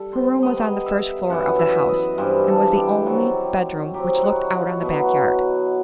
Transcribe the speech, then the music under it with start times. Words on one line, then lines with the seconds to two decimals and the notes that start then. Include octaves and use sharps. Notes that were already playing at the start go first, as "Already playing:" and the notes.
Her room was on the first floor of the house, and was the only bedroom which looked out on the back-yard.
Already playing: G3 A4
0.13 C5
0.42 D#3 G3 B3 D#5
0.86 E5
1.30 F#2 E3 B3 F#5
1.59 E5
1.89 D#5
2.18 G2 E3 G3 C5
2.47 A4
2.77 G4
3.06 D#3 F#3 C4
3.94 D#3 F#3 C4 G4
4.09 D#4
4.16 E4
4.23 F#4
4.53 F#4
4.82 B2 F#3 B3